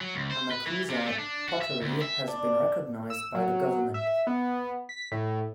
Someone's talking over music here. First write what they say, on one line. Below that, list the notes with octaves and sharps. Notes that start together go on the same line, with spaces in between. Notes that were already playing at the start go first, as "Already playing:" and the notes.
Amakusa pottery has been recognised by the government.
F#3
C#2
C5
B4
E3
C3
A3
D4
F#4
E5
D2
E5
D4
E6
F#3
E5
B3
B6
A2